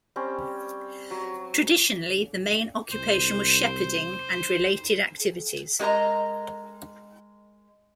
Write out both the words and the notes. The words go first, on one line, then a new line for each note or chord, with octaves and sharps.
Traditionally the main occupation was shepherding and related activities.
G3 C4 C#4
F#3
C2 C5
G#3 G4 A#4 D#5 A#5